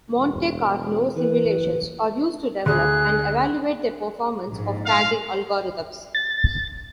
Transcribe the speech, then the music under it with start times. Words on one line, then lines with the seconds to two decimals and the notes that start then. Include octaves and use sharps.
Monte Carlo simulations are used to develop and evaluate the performance of tagging algorithms.
0.17 E1
1.16 E3 B4
2.66 D2 G#4 F#6
4.47 A#1 G#2
4.84 F5
6.15 A6